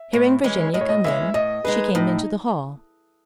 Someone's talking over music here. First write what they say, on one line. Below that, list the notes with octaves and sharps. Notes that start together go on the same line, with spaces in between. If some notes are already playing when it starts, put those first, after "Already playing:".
Hearing Virginia come in, she came into the hall.
Already playing: E5
A2
E3 G#3 C#4
A2 D#5
C#5
D#5
E3 G#3 C#4 E5
A2 D#5
G#3 D#4 G#4 B4
A2 D#4